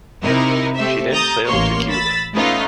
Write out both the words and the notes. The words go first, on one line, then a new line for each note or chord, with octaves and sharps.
She then sailed to Cuba.
C3 D#4 E4 A#4
A3 C4 G4 E5
A#5 D#6 G6 A6
A1 A#3 C#5 C6 C#6
B5 E6 A6 B6
A3 B3 C#4 D#4 F4